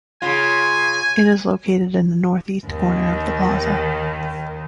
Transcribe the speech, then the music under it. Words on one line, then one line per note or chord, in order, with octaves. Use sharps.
It is located in the northeast corner of the Plaza.
C#3 F4 G#5
D#2 D#3